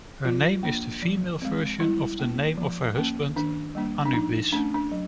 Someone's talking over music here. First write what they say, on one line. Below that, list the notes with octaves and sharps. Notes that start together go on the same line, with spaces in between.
Her name is the female version of the name of her husband, Anubis.
F3 F4
A#3 D4
F3
G#3 C4
G3 E4
A#3 C#4
F3
A#3 C#4
D#3 D4
G3 A#3 D4
D4
F3 D#4
A3 C#4 D4
D4
F#3